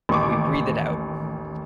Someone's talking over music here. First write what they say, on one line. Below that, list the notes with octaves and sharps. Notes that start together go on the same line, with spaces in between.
We breathe it out.
A1 D#2 C#6 D6